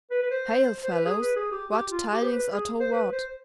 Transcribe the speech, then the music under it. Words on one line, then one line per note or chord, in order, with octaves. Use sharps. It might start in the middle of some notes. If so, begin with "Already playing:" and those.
"Hail fellows! what tidings are toward?"
B4
B4
C5
C5
B4
G#4
B4
G#4
G4
G4
F4
G4
C5
B4
G#4
C5
B4
C5